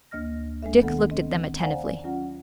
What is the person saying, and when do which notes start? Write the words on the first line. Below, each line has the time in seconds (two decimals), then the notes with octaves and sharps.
Dick looked at them attentively.
0.11 D2 A#3 D#5 F6 A#6
0.63 G#3 A3 D4 A4 E5
0.81 B2 D#3 B3 A4 F#5
1.11 C4 D#5
1.59 C5 D5 F5 F#5 G#5 A#5
2.04 F#3 C#4 F4 F#5